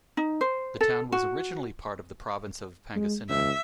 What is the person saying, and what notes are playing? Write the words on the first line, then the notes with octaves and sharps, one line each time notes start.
The town was originally part of the province of Pangasinan.
D#4
C5
A4
F#4
G#3
C#2 E5